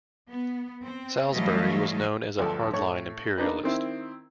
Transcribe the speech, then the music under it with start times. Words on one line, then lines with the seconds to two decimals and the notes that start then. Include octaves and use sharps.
Salisbury was known as a hardline imperialist.
0.31 B3
0.83 C4
1.34 E3 F#3 G3 A3 D#5 F5
2.39 D2 G2 F3 A4
2.73 A2 C#5 C#6
3.38 A#3 D4 D#4 B4
3.63 D#3 C4 E4